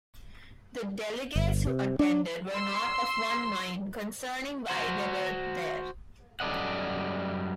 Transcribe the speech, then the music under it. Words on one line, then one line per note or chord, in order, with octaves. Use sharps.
The delegates who attended were not of one mind concerning why they were there.
G1
C3
D4
C6 E6
F#4 C5
F#2 G3 A4 D5 D#5 F#5